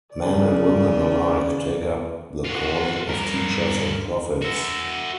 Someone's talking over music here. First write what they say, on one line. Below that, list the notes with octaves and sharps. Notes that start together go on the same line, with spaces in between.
Men and women alike take up the calling of teachers and prophets.
C#3 D5
F4 F#4
G2 A#4
F#4 E5